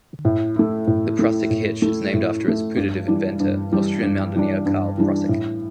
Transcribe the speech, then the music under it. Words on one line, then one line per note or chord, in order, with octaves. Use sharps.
The Prusik hitch is named after its putative inventor, Austrian mountaineer Karl Prusik.
A2
A3 E4
A2
A3 E4
A2
A3 E4
A2
A3 E4
G2
E3 G3 D4
G2
E3 G3 D4
G2
E3 G3 D4
G2
E3 G3 D4
A2